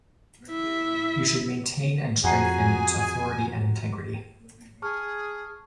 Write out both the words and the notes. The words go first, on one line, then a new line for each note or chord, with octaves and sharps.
We should maintain and strengthen its authority and integrity.
E4 E5
F2 F#4 G#4 G#5 A#5 C7
G#4 A5 C#6 F6